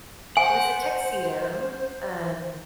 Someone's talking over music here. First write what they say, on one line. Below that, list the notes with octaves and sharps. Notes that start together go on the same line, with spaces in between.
It was a tuxedo, um
C5 F#5 G#5